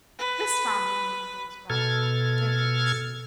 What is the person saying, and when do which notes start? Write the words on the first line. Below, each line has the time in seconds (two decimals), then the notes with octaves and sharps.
This family name goes back decades.
0.18 B4
1.70 B2 A4 F6 G#6